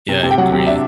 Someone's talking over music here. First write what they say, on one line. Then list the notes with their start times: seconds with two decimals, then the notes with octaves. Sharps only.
Yeah, I agree.
0.09 C3
0.23 C3
0.31 G5
0.38 F#3 F#5
0.52 C3
0.67 D4 E5